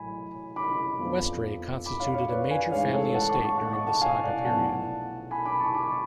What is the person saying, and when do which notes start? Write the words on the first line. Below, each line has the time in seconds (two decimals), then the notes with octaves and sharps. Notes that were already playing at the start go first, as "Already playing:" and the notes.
Westray constituted a major family estate during the saga period.
Already playing: A1 A2 F#3 G#5 B5
0.56 B5 D6
1.00 F2 F3 B3 D4
1.86 B5 D6
2.00 C#5 F5
2.14 C#5 F5
2.28 B4 D5
2.50 F5 G#5
2.72 A1 G#2 G#3 D4 C#5 F5
2.94 A4 C#5
3.15 F#5 A5
3.29 A5 C#6
3.44 A5 C#6
3.58 F#5 A5
3.73 A5 C#6
3.87 F#5 A5
4.01 F5 G#5
4.23 D5 F#5
4.45 B1 A2 F3 B3 F#5 A5
5.31 G#5 B5
5.45 B5 D6
5.60 A5 C#6
5.74 B5 D6